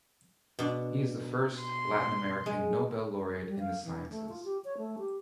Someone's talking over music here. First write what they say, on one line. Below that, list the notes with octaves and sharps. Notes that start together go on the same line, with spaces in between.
He is the first Latin American Nobel laureate in the sciences.
B2 D4
C6
G#3
G3
F5
E3
A3
F4
G4
C#5
A3
G4